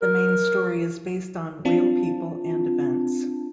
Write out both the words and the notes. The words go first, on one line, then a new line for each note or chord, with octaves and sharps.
The main story is based on real people and events.
A#4
C4 D4 F4 A5